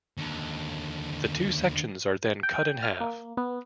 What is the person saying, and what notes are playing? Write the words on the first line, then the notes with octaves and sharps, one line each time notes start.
The two sections are then cut in half.
D#2 D3
G5
F6
A#3
B3